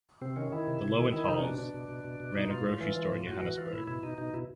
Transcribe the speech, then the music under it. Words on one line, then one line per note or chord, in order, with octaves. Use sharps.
The Loewenthals ran a grocery store in Johannesburg.
C3 C4
D#3 C#4
D#3 E4
C3
C3
D#3
D#3 E4
C3 D#4
C#4
B2 D4
B2 D4
B2
B2
B2
B2
B2 D#4
B2 F4
A2
E3
E3
A2
A2 F#4
E3
E3 F4
A2 E4
B2 E4
B2 D#4
B2 D#4
B2 E4